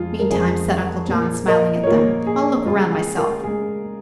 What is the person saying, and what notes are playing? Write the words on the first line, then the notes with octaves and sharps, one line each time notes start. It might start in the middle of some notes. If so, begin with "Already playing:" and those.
"Meantime," said Uncle John, smiling at them, "I'll look around myself."
Already playing: F2 C#3 G#3 F4 G#4
A#4
F2 C#3 G#3 G#4
A#2 F3 A#3
A#4 D#5
C#5
A#2 F3 A#3 F4 A#4
G#4
C#3 G#3 F4
G#4
F4 A#4
C#3 G#3 G#4